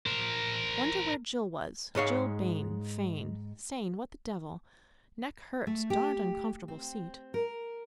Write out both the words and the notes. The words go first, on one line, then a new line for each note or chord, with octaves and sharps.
Wonder where Jill was--Jill Bayne, Fayne, Sayne--what the devil--neck hurts, darned uncomfortable seat.
A#4 C5
G#2 G#3 C#5 F5
A3
G4
C4
A#4